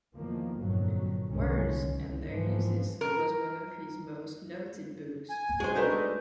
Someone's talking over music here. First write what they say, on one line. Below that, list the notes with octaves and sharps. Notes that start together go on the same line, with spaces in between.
"Words and Their Uses" was one of his most noted books.
E2 D#3 F3 A#3
G1 F2 A#2 D#3 F#3
F#1 C2 D3 D#3 G#3 C#4
C#2
G#2 E3 F3 G3
A#4
G#5
G#3 F#4 G#4 C5
A3 D4 D#4 A4 B4 G6